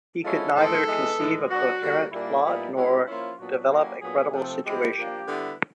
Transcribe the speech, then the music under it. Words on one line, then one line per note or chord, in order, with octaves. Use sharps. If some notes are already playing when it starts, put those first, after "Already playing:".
He could neither conceive a coherent plot, nor develop a credible situation.
F3 G#3 C#4 E4 A4
A2 E3 G#3 C4 A4
E3 G#3 B3
A2 E3 G#3
F#3 B3 D4 F#4
D3 G3 A#3
A#2 G3 A#3 D4 E4
A#2 G3 B3 D#4
B2 G#3 C#4 E4
F3 A#3 C#4 E4 F4
A#2 F#3 B3 D4 F#4
F#3 A#3 C#4 E4 G4
A#2 F#3 B3 D4 G#4
C3 F3 A3 C4 A4
B2 G#3 C4 E4 G4
F3 A#3 D4
D3 G3 B3 E4